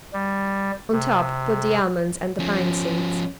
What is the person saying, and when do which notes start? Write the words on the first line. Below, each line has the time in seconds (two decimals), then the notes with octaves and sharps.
On top put the almonds and the pine-seeds.
0.13 G3
0.92 C3
2.39 F3 C#4